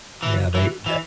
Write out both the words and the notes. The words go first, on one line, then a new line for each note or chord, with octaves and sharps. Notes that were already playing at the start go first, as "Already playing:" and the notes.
Yeah, they tha
E3
E3
E3